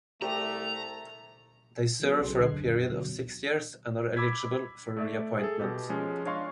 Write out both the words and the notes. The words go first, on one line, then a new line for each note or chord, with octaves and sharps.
They serve for a period of six years and are eligible for re-appointment.
C2 A3 G4 A#5
D#3 F#3 B3
B1 C#3 F#3 G#4 A4 C6
D2 D3 F#6 G#6 C7
F#2 D3
F#2
B2 D3 F#3
B5 D6 E6 G#6 B6
A3 D5 E5
G#4 A4
B2 G4
F3 G#3 C#4
D4 C#5 D#5 F5 C6 C#6